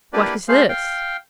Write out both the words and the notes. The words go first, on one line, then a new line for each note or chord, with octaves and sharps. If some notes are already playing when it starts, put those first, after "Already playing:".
What is this?
A#3 D4 E4 G4 B4 D5
A3 G#4 C5 F5
F5 G5